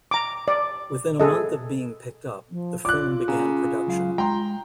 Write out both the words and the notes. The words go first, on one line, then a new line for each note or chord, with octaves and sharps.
Within a month of being picked up, the film began production.
A#5 D6
D5
G#4 A4 D#5
F3
F4 C#5 D5 D6 F#6
C#3 C#4 F#5 A#5
C#2 F#3 F5
G#3 G5 A#5 C6